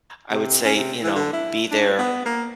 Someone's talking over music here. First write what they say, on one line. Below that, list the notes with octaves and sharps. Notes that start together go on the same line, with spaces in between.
I would say, you know, be there,
C3
C#4
C3
E3
D3
E4
D4
B3
A#3